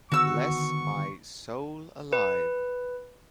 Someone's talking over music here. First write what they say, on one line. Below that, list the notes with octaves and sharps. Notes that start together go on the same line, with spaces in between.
Bless my soul alive!
D3 D#3 B3 F#4 C#6 E6
B4